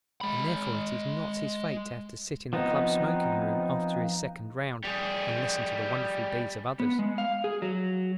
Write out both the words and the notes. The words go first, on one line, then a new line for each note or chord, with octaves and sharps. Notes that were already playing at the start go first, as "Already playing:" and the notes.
And therefore it is not his fate to have to sit in the club smoking- room after his second round and listen to the wonderful deeds of others.
G#3 B5
F3 B3 C4 D#4
G3 G#4
B3
G#3
F5
G#4
F#3